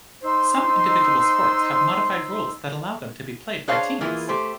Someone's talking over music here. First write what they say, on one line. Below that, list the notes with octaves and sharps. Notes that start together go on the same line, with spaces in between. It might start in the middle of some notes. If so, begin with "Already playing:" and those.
Some individual sports have modified rules that allow them to be played by teams.
D#4 C5 C6 E6
D4 G#4 C5 C#5 F5 A5
E3 A#3 E4 F4 G#4
A3 G4 C5